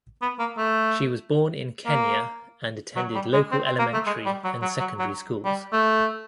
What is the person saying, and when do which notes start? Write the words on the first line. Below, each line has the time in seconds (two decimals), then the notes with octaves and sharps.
She was born in Kenya and attended local elementary and secondary schools.
0.22 B3
0.39 A#3
0.58 A3
1.86 A#3
2.96 F#3
3.15 G3
3.33 G#3
3.52 C4
3.66 C4
3.79 A#3
3.94 A3
4.06 G#3
4.26 G3
4.44 F#3
4.62 F#3
4.80 F#3
4.99 F#3
5.45 G3
5.73 A3